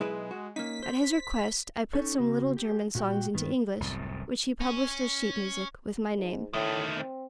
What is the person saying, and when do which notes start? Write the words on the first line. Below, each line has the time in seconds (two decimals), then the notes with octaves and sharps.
At his request, I put some little German songs into English, which he published as sheet-music, with my name.
0.01 B1 G#3 E4 B4
0.31 F#4
0.56 A#3 C#4 D#4 B6
0.83 C5
1.93 C#4 D#4 A4 C#5
2.18 C#3 C4 F#4
2.57 G4
2.95 A#2 F#4 B4 G5
3.34 G2 D#3 B3
3.80 C2 F#2 A2
4.61 C#4
6.18 G#2
6.53 A2 D#3 A3
6.98 C4